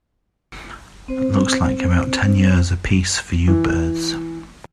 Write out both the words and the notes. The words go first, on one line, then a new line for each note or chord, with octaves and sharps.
Looks like about ten years a piece for you birds.
C4 C5
E3